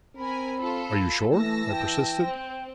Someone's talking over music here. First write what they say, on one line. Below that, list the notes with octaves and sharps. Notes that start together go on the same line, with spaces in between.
"Are you sure?" I persisted.
C4 A#4 G#5 B5
F4 A4
E3 A3 A5 E6 A#6
G5
C4